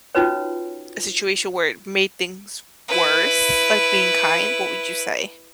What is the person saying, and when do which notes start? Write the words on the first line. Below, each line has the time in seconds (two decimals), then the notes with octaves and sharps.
a situation where it made things worse, like being kind, what would you say?
0.15 C#4 D#4 F4 F#4 B4 C#5
2.88 E4 B4